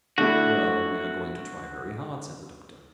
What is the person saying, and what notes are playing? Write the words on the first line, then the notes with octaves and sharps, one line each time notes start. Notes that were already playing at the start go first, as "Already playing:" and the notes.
"Well, we are going to try very hard," said the Doctor.
D3 A3 E4 F#4